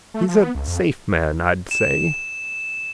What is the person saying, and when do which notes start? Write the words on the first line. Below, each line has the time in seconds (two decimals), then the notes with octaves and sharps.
He's a safe man, I'd say.
0.14 A3
0.28 F3
0.42 B3
0.55 C#2
0.67 F2
1.71 E7